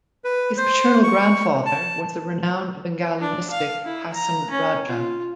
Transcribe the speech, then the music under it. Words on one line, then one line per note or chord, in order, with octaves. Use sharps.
His paternal grandfather was the renowned Bengali mystic Hason Raja.
B4
C5
C#6
A5
D4
F5
E4
A#5
C#4
F4